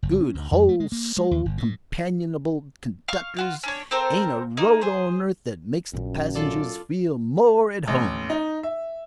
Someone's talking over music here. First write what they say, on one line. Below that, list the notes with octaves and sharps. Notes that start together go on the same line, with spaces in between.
Good, whole-souled, companionable conductors; ain't a road on earth that makes the passengers feel more at home.
F#1
C#4
D2
F2
A3
G#3
A#3
G#3
D#2
G1
A2
F5 C#6 F6
F4 F#4 F5
C#4 D4 C#5
C4 A4 A#4 C5
A#3 D#4
G#4 C5
A#1 F#2 C#4
F4 A4 D5
A1
D#4
E5